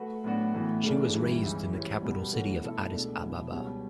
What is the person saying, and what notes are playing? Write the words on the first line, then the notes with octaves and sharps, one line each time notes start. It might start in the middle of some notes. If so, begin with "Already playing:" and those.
She was raised in the capital city of Addis Ababa.
Already playing: A3 F#4 B4
A2 F#3 B3 D4 F#4
A2 E3 B3 F#4
C#3 E3 A3 D4
G2 E3 G3
C#2 C#3 E3
E3 G3 C#4
B2 G3 B3 F#4
E3 A3 C#4 F#4
B2 A3 E4 A4
C#2 B2 A3 D4
B2 F#3 C#4 E4
C#2 B2 G3 C#4